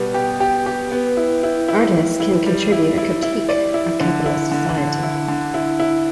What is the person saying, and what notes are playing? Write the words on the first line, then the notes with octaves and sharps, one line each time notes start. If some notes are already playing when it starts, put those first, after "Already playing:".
Artists can contribute a critique of capitalist society.
Already playing: B2 G3 B3
G4
G4
G4
B3
E4
E4
E4
E4
E4
G3
E4
E4
E4
D5
E4
D3
E4
D3
D3
E4
D3
E4
E4